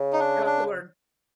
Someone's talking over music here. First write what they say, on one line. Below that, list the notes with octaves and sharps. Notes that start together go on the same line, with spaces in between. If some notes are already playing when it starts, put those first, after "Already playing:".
You have to learn
Already playing: C#3
D#4
D4
D4